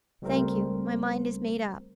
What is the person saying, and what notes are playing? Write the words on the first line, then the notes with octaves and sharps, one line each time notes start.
'Thank you, my mind is made up.'
C#2 G3 A3 C4 A#4 C5